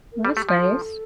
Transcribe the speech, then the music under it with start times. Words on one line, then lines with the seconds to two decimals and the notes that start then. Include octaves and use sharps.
Well, that's nice.
0.12 A#4
0.24 G3 A4
0.36 A3 G4
0.48 F3 F4
0.61 A4